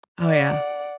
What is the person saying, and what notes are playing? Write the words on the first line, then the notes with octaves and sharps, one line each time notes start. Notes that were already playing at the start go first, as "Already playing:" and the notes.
Oh, yeah.
D5 F#5